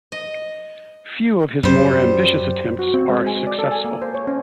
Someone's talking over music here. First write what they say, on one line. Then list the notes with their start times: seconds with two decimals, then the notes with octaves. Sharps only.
Few of his more ambitious attempts are successful.
0.12 D#5
1.63 F#2 F#3 G3 C5
2.79 F#4
2.94 C4
3.09 G#3
3.27 G#5
3.47 D5
3.59 A4
3.72 G#5
3.84 A#3
4.02 C5
4.14 C#5
4.27 C#4